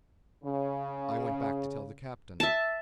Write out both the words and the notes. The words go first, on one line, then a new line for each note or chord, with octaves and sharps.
I went back to tell the captain.
C#3
E5 A5